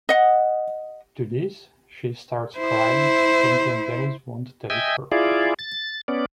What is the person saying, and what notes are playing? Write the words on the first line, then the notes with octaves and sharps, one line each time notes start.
To this, she starts crying, thinking Dennis won't take her.
D#5 F#5
E4 C5
D#5 E5 G5 G#5
E4 F4 G#4 D5
A6
B3 C#4 D5